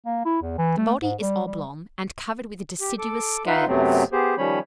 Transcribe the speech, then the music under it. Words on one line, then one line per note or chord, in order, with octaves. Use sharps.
The body is oblong, and covered with deciduous scales.
A#3
E4
E2
E3
A3
G#2
G3
G3
G4
A4 D6
D#4 F4 B4 E5 F#5 C6
F#2 C3 F#3 A3 B3 C4
B3 G4 G#4 C5
D#3 F3 G3 C#4 C#5 B5